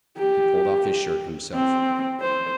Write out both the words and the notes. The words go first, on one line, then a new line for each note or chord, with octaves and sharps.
He pulled off his shirt, himself.
G4
C4
C5